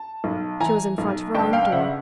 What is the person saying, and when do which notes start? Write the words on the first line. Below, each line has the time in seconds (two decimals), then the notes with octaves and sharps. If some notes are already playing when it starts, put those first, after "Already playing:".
She was in front of her own door.
Already playing: A5
0.24 B1
0.60 E3 G#5 A#5
0.98 B1
1.35 G1 G5 A5
1.53 F5 G5
1.72 C#3 E5 F#5